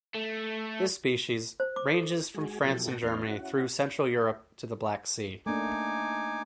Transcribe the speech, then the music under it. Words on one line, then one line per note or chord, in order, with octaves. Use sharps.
The species ranges from France and Germany through central Europe to the Black Sea.
A3
C5
D6
A4
G#3 F#4 G#4 G#5
B2 F3 F#3 E4 G4 A4
A2 A#3 F#5 G5 A5 A#6
E2 B3 D4 D#5 C6 F6
C#4 E4 F#4 F#5
A3 A#3 D4 D#4 G#5 D6